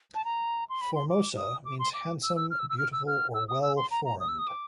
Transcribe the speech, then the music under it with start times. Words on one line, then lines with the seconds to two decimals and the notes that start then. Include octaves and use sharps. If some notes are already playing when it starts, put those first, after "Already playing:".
"Formosa" means 'handsome', 'beautiful', or 'well-formed'.
0.15 A5
0.25 A#5
0.70 C6
0.81 B5
0.95 C6
1.10 D6
1.37 D#6
1.65 D6
1.79 C6
1.94 D6
2.23 E6
2.36 E6
2.51 F6
2.59 E6
2.70 E6
2.78 F6
2.93 E6
3.07 F6
3.34 E6
3.49 D#6
3.63 E6
3.77 C6
3.91 A#5
4.05 A#5
4.20 D#6
4.29 E6
4.38 D#6
4.47 D6